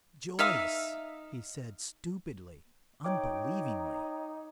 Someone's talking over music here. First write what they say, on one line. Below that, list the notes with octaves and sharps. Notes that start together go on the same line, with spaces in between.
"Joyce!" he said, stupidly, unbelievingly.
D#4 E5 F5 D#6
D#4 C#5 G5 D6